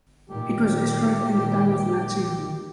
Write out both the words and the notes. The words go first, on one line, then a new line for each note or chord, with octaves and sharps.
It was destroyed in the time of Nazi rule.
A#2 D#3 G4